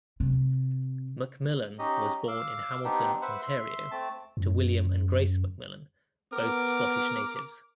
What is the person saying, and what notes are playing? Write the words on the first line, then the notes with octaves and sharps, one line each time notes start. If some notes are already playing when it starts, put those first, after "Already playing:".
McMillan was born in Hamilton, Ontario to William and Grace McMillan, both Scottish natives.
C3
C#4 D#4 G4 D#5
F5 D6 E6
B3 C4 D4 D#4 G4
B4 C5 E5 F#5
E5 C6
A3 C4 A5
F#2
B3 A#4 D6